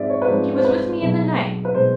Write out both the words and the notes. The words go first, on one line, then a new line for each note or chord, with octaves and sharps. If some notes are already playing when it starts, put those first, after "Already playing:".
She was with me in the night.
Already playing: G#2 F3 G#3 C4 D5 E5
C#5
B4
G#2 F3 G#3 C4 C5
C5
B4
B1 B2 G#3
B4
B2 G#3 C5